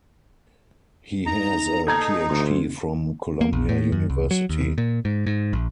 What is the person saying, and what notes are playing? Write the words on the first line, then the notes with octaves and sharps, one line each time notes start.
He has a PhD from Columbia University.
D#4 A#5
D#4 G#4 A4 A#5 G6 G#6
D2 C6
A#3
A#1
A2
F#2
C2
F#3
D#2
A#2
G#2
G#2
A#1